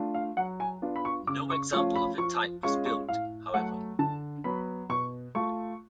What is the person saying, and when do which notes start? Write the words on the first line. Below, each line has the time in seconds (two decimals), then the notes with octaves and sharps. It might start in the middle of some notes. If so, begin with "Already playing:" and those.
No example of the type was built, however.
Already playing: A3 D4 F4
0.14 F5
0.37 F#3 F#5
0.60 G#5
0.82 B3 D4 F4
0.96 B5
1.05 C#6
1.27 C#3 D6
1.50 C#6
1.73 F3 A3 C#4 F4 C#6
1.95 B5
2.18 F3 C#6
2.63 G#3 C#4 F4 C#6
2.86 C#6
3.09 A2 F5
3.54 F#3 A3 F#5
3.99 D3 A5
4.44 F#3 B3 B5
4.89 B2 C#6
5.35 A3 F4 C#6